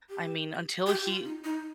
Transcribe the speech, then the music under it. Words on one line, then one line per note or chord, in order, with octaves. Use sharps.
I mean, until he,
G4
G4
F4
D#4
D#4